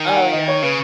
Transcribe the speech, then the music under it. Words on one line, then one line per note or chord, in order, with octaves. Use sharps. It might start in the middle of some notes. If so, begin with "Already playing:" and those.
Oh, yeah.
Already playing: D#3
G#5
F#5
F5
D#5
C#5
C#3 B4